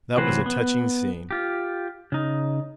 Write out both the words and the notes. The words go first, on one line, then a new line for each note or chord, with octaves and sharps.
That was a touching scene.
A2 C3 E3 F#3 B4 C5
B3
F4 G4
C#3 D#4